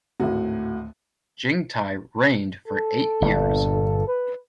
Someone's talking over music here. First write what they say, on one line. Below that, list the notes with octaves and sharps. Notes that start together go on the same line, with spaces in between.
Jingtai reigned for eight years.
G#1 D2 A2 F#4
A4
G1 G2 A#2
B4